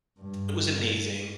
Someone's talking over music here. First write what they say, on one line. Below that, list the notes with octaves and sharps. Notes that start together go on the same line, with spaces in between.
it was amazing.
G2